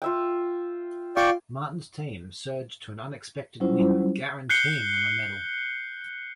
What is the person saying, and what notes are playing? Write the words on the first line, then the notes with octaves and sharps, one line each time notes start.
Martin's team surged to an unexpected win, guaranteeing them a medal.
F4 E5 G5
F4 D5 F5 G5 C#6 D6
F#3 G3 C#4 E4 F4 C5
F#6 G6 C7 C#7 G7